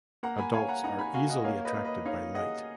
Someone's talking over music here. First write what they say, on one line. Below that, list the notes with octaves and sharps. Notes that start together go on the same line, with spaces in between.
Adults are easily attracted by light.
A#3 F#5 A#5
G#5 B5
C#5 F5 G#5
F#5 A#5
D#4 F#5 A#5
G#5 B5
F#4 F5 G#5
D#5 F#5
A#3 C#5 F5
B4 D#5
A#3
B4 D#5
D#4 C#5 F5
G#4 D#5 F#5